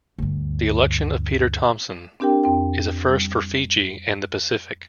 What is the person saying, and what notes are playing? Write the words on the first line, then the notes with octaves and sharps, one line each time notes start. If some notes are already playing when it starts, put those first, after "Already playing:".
The election of Peter Thomson is a first for Fiji and the Pacific.
D2 G2
C4 D4 G4 A#4 G5
F2 C4 G5
G3